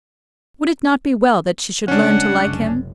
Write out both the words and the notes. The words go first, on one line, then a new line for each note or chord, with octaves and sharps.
Would it not be well that she should learn to like him?
C#2 G3 G#3 C#4 D4 F#5
F#1 C2